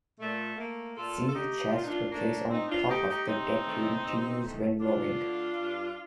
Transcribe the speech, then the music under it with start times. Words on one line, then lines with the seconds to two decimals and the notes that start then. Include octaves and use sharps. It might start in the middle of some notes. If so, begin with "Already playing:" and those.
Sea chests were placed on top of the decking to use when rowing.
0.19 A#2 A3
0.57 A3 A#3
0.95 A#2 F4 A4
1.27 A4
1.34 A3 D#4 G4
1.73 A#2 F4
1.80 D#4
1.87 D4 F4
2.11 A3 A#3 D4
2.49 A#2 C4 D#4
2.68 D4 F4
2.87 A3 D#4 G4
3.07 D#4 G4
3.26 C3 C4 D#4
3.65 D#3 A3
4.03 C3
4.41 D#3 A3
4.80 G2 D4 F4
5.18 D3 A3
5.57 G2